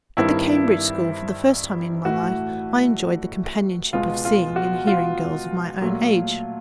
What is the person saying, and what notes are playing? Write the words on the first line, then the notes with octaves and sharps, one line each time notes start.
At the Cambridge school, for the first time in my life, I enjoyed the companionship of seeing and hearing girls of my own age.
G2 D#3 G3 C4 E4
A2 E3 A3 F#4
C#2 B2 G#3 B3 F4
F4
F#4
F4
A#2 F#3 A3